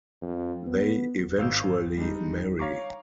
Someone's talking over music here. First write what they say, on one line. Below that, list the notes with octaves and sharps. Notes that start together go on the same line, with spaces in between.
They eventually marry.
F2
B3
G#1 F5 E6 G6
G3 G#3 D4 D#4
C#5 F5 A#5 C#6 D6